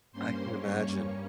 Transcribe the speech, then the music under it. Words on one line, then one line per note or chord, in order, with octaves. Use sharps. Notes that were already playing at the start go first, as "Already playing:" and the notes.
I can imagine.
G2 G3 A#3 C#4 C5 C6
C#5 C#6